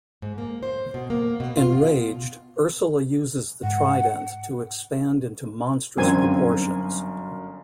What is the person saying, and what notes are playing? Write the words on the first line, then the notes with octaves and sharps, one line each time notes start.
Enraged, Ursula uses the trident to expand into monstrous proportions.
G#2
A#3
C5
B2
A#3
B2
F4
B2
G#2 F#5
G1 F#2 C4 A#4 G#5